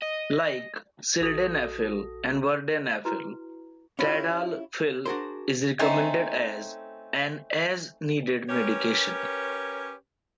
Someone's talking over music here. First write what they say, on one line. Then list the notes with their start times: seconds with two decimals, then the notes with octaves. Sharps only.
Like sildenafil and vardenafil, tadalafil is recommended as an 'as needed' medication.
0.02 D#5
1.21 A#1 F#4 A4 D#6 A#6
3.05 E4 F#4 B4 A#5
3.99 C#4 E4 F4 G4
5.06 D4 F#4 G#4 A#4 C5
5.79 A3 C4 C#4 D#4
8.49 C#4 G4 A#4 B4 C#5